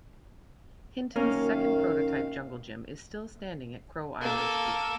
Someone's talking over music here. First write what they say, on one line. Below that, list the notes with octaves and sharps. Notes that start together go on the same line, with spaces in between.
Hinton's second prototype jungle gym is still standing at Crow Island School.
F#2 D#3 A#3 C#4 A#4 F5
A#3 A4